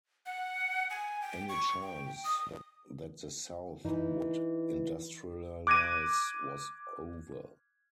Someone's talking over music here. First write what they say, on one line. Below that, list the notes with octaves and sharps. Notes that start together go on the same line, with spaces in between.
Any chance that the South would industrialize was over.
F#5
G#5
G5
C#6
G5
D#6
E3 D#4
D6 F#6 G#6 A#6 D7 D#7